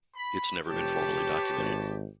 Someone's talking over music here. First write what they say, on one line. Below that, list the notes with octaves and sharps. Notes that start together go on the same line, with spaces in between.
It's never been formally documented.
B5
F1 G4 B4 C#5 A5
G#1